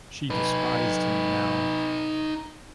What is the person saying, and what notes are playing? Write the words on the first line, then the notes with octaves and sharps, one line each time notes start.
She despised him now.
D#4 B4